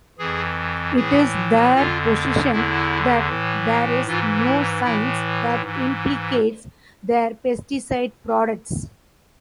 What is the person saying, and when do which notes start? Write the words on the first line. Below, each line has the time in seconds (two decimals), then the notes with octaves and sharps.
It is their position that there is no science that implicates their pesticide products.
0.19 F2 E3 G#4
0.96 A2 E3 G#4
1.74 F2 D3 F4
2.52 E2 D3 E4
3.29 A2 E3
4.06 G#2 E3 F4
4.45 E4
4.84 A2 E3 E4
5.62 G#2 E3